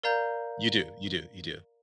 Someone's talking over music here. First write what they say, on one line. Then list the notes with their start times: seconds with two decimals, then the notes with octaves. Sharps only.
You do, you do, you do.
0.03 A#4 D5 F5 A#5 G6